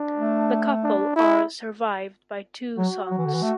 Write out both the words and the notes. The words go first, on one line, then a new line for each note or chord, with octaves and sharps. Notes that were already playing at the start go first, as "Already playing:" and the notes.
The couple are survived by two sons.
Already playing: D4
A3
D4
E4
F#3 F#4
F#3
E3
D3
E3
A3